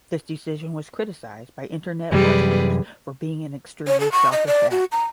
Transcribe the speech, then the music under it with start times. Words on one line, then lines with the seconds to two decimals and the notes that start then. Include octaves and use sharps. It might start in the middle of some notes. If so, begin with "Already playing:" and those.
This decision was criticized by internet watch groups for being an extremely selfish act.
2.12 F#2 C3 E3 G3 G#4 B4
3.88 C#5
4.00 A4
4.12 C#6
4.32 D#5
4.47 D5
4.71 F#4
4.92 A#5